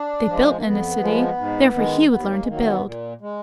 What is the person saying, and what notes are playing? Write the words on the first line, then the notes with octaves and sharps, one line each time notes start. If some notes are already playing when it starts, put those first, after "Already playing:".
They built in a city; therefore he would learn to build.
Already playing: D4
F3 G#3
A#3
F2 B3
F3 G#3
G#2
D#3 G#3
D#2 B3
A#3
G#3
D#3 F#3 A#3
B3
A#2
G#3